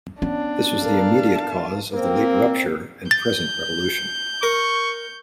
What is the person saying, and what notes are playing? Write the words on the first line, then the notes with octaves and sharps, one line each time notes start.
This was the immediate cause of the late rupture and present revolution.
B3 C#4 D4
A4 A#4 F5 A5
A#3 C4
G6 A6
A#4 C#6